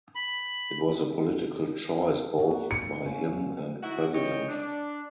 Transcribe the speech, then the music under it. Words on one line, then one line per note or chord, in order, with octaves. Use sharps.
It was a political choice both by him and president.
B5
A#3 D#4 F#4
C#7
A#3 C#4
D#4 E4 F#4
E3 C#5 D#5 G5
D4